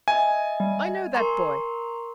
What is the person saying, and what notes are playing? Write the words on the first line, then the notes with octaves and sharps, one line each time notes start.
I know that boy.
D#5 E5 G#5
G3
A#4 A#5 C6 C#6